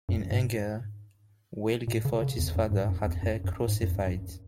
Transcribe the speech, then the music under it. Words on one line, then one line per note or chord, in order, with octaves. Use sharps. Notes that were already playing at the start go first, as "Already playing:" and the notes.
In anger, Wilgefortis's father had her crucified.
F#2
G#2
A#2
C#3
C#3
E2
F#2
G#2
F#2
E2
F#2
F#2
G#2
F#2
E2
F#2